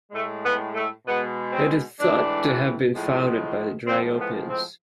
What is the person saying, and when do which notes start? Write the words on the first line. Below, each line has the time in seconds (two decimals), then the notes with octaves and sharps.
It is thought to have been founded by the Dryopians.
0.12 A2 G#3 A3
0.44 B3
0.75 A3
1.06 B2 G#3 B3
1.53 C4
2.00 A2 E3 G#3 D4
2.95 A2 F3 G#3
3.87 A2 F3 G#3 C4
4.19 B3
4.50 C4